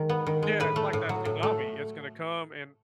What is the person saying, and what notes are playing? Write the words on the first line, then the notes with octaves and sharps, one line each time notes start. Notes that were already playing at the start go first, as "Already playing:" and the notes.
Yeah, it's like that tsunami, it's gonna come, and
Already playing: D#3 G#3
B3
D#3
G#3
A2 B4
A3
A2
F#3
A2
A3